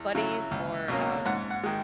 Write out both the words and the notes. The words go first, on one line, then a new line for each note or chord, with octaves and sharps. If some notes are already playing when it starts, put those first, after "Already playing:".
Buddy's or, um,
Already playing: E2
C#3 F#3 C#4 E4
C#2
B2 F#3 A#3 C#4
G#2 F#5
F#5
D#3 G#3